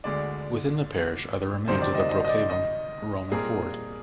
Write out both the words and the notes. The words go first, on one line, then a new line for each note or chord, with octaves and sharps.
Within the parish are the remains of Brocavum Roman fort.
D2 D3 G#3 D4 D5
D2 C3 D#3 G3 C4 C5
D5
D#5
D#5
D#5
D5
D#5
A#2 G3 C4 F4 G#4 A#4